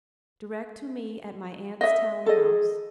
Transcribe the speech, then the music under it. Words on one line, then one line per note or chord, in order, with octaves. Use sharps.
Direct to me at my aunt's town house.
D#5 E5
G#4 A4 D#5